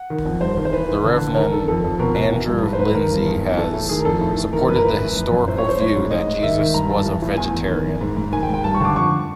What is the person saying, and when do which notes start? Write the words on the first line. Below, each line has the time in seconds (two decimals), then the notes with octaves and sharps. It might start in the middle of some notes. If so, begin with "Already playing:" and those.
The Reverend Andrew Linzey has supported the historical view that Jesus was a vegetarian.
Already playing: F#5
0.10 D#3
0.25 F2
0.41 G2 C5
0.57 D#3
0.65 C5
0.73 E3 B4
0.89 E3
1.05 D3
1.20 D3
1.36 D#3 A#4
1.51 D#3 A4
1.68 F2 A4
1.84 F2
1.99 B2 A#4
2.15 B2
2.31 E3
2.48 G2
2.63 G#2 B4
2.73 C5
2.79 G#2 B4
2.95 D#3 A#4
3.11 G2
3.26 E2
3.42 E2
3.57 E3 A4
3.74 A2
3.89 D#3 G#4
3.99 A#4
4.05 F2 A4
4.21 A2
4.37 E3
4.53 D#3 A#4
4.68 F#2 B4
4.76 A#4
4.82 A2 B4
5.00 E3
5.16 F#2
5.32 F#2
5.48 A2 C5
5.58 C#5
5.63 A2
5.69 C5
5.79 G#2 C#5
5.96 G#2
6.11 G#2 D#5
6.27 G#2
6.43 D#3 E5
6.59 D#3
6.74 G2 A#5
6.90 G2 A5
7.06 E3
7.22 A2
7.37 E2 G#5
7.54 E2
7.70 D#3
7.86 F#2
8.01 G#2
8.16 G#2
8.32 D#3 G#5
8.43 G5
8.49 G#2
8.54 G5
8.64 G2 A5
8.74 C#6
8.81 D3 D6
8.96 F2 C#6